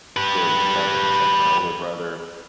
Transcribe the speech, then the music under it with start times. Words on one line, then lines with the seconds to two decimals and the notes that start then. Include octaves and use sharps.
very stubborn, it's like my older brother
0.17 G4 B4